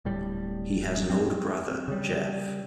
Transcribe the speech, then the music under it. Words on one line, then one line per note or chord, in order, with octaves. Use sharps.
He has an older brother, Jeff.
D1 A2 G3
C4
C#3 G3